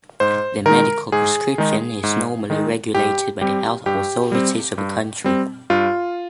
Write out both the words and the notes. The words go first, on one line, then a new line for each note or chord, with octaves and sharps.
The medical prescription is normally regulated by the health authorities of a country.
G#2 C5
D#3 G#3 D#4 A#4
G#2 G#4
D#3 G#3 D#4
G#2
D#3 G#3 D#4
G2 G4
G3 C4 G4
G2 G4
G3 C4
G2
G3 C4
G2 F4